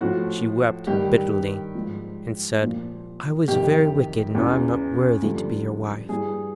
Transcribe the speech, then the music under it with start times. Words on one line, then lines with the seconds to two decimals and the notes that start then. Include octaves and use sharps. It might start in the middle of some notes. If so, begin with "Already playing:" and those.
She wept bitterly, and said: 'I was very wicked, and I am not worthy to be your wife.'
0.01 A2 F3 F#4
0.87 G2 D#3 G4
1.75 G#2 F3
2.62 A#2 F3
3.48 F2 C3 D#3 G4
4.35 E2 C#3 E3
5.22 G2 D3 F3
6.09 G2 E3 G#4